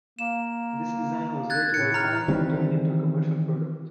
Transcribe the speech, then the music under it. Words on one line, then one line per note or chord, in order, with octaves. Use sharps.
This design was later refined and turned into a commercial product.
A#3 E7
F#6 G#6 A6
A2 C#7
A#5 F6
D#3 E3 G3 C4